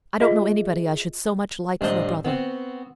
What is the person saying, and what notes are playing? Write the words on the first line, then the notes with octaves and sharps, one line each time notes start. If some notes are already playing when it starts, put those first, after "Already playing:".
I don't know anybody I should so much like for a brother.
F4 G#4 D#5 E5
A1 G2 D4 D#4 C5 D#5
B3 C4 F#4